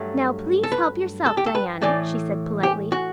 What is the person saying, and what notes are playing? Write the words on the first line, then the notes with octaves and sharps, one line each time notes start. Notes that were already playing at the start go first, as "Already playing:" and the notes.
"Now, please help yourself, Diana," she said politely.
Already playing: G2 F#3 A3
A4
B4
A4
G4
A4
B4
A2 E3 A3 D5
G4
F#4